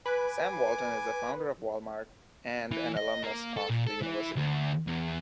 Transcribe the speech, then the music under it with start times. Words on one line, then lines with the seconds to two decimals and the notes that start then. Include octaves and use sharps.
Sam Walton is the founder of Wal-Mart and an alumnus of the University.
0.06 B4 G#5 D6
2.72 E3
2.97 D#5
3.23 A#3
3.57 A4
3.70 A#2
3.87 A4
4.01 E3
4.36 D2
4.87 E2